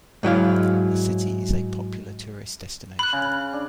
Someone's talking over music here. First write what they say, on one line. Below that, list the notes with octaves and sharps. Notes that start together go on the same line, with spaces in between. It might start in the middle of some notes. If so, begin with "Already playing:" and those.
The city is a popular tourist destination.
G#2 F#3 E4 F5
B5 F#6
C#3
D4